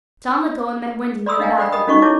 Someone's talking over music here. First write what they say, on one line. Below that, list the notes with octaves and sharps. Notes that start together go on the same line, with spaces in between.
John let go and met Wendy near the bathroom.
D5 B5 C6 D#6 E6
D4 D#5 F5 G5 G#5 A#5
A4 D5 G5 B5
A#4 D#5 G5 B5 D#6
C#4 D#4 F#4 A4 D#5 C#6
E4 C#5 A5 D6